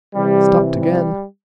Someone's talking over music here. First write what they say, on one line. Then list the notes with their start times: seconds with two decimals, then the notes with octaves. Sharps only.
Stopped again.
0.15 C3 E3 G3
0.79 G3